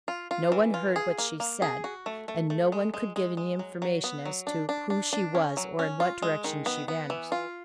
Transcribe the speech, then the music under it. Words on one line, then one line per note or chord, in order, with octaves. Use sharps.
No one heard what she said; and no one could give any information as to who she was or in what direction she vanished.
F4
F4
E3
F4
G#4
A#3
A#3
G#4
F#4
A3
A3
A3
G#3
G#3
G#3
G#3
F#3
F#3
B3
F#3
D4
D4
D4
D4
C#4
F#3
C#4
F4
G#3
D#3
B3
B3
E3
F4